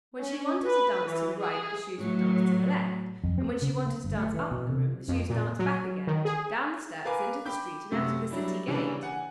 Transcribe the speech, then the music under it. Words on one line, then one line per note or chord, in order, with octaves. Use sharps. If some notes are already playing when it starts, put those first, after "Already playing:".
When she wanted to dance to the right, the shoes would dance to the left, and when she wanted to dance up the room, the shoes danced back again, down the steps, into the street, and out of the city gate.
C#4
B4
E3
G#4
A2 F#3
F2
C4
C#3
A#3
G1
A3
E3
B2
C3
F2
A#2
F#3
D#3
G#4
A#4 B4 F5 G#5 D6
G5 B5 D6 G6
F#2 C3 A3
F#3 G3 D4 E4
C#3 E3 G3 A#3 C#4 D4
F#5 G#5